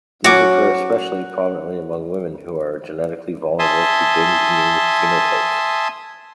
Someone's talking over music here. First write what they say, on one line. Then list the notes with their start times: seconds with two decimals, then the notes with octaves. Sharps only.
These occur especially prominently among women who are genetically vulnerable to binge eating phenotypes.
0.24 F#3 C#4 F#4 D6
3.59 E5 G#5 A5 C6 D#6